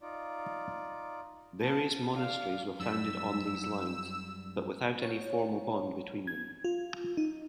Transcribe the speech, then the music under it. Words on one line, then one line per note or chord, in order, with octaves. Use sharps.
Various monasteries were founded on these lines, but without any formal bond between them.
D#4 F4 D5
A5
D5 F5
F#2 G3 E6
C#5
G#6
F4
D#4